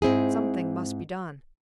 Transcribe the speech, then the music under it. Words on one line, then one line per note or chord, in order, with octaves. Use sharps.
Something must be done.
G#2 C4 E4 G#4